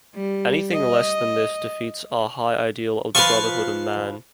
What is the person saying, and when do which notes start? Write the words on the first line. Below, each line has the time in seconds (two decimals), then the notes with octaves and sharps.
Anything less than this defeats our high ideal of the brotherhood of man.
0.14 G3
0.73 D#5
3.15 F3 B4 F5 C6 C#6